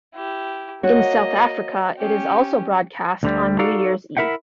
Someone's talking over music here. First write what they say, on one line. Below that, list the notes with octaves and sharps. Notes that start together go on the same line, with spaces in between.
In South Africa it is also broadcast on New Year's Eve.
E4 G4
A#3 F#4 C#5 D#5
C#4 G4
D2 D3 G3
D#4 F#4 A4 D5 F5
E4 A#4 E5 F#5 G5